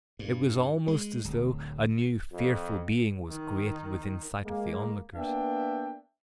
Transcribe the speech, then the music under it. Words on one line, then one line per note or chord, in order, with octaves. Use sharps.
It was almost as though a new fearful being was created within sight of the onlookers.
G2
G#3
D1
F2
D#3
G#3 A#3
A#3 B3 D4 E5 G5